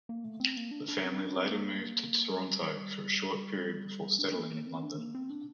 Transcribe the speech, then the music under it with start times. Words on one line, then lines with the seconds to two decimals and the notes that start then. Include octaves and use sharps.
The family later moved to Toronto for a short period before settling in London.
0.09 A#3
0.24 A3
0.40 C4
0.57 A#3
0.71 D4
0.88 D4
1.04 C4
1.20 D4
1.36 C4
1.51 A#3
2.30 G3
2.62 G3
4.19 D4
4.35 A#3
4.51 A#3
4.67 C4
4.83 D4
4.98 A#3
5.15 C4
5.30 D4